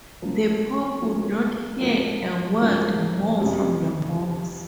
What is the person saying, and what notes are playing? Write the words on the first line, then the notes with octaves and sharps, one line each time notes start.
The Pope would not hear a word more from the monks.
F3 A#3 C#4
F3 A#3 C#4
G#2 F3 A#3 C#4
G#2 F3 A#3 C#4
F2 C3 G3 C#4